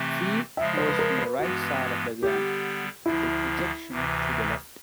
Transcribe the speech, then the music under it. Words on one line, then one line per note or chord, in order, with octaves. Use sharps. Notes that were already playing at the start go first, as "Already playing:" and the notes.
Feed was from right side of the gun, with ejection to the left.
Already playing: C3 E3 A3 C4
C#3 F3 G#3 E5
C5
B4
A#4
B4
G2 E3 G#3 B3 F#4
D3 G3 B3 G4
D2 D3 F3 E4
D2 C3 E3